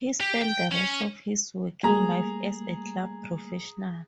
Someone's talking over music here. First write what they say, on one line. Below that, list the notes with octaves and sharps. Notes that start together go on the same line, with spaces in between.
He spent the rest of his working life as a club professional.
G4
G5
C#4
G3 A3 A#3 G#4 A#5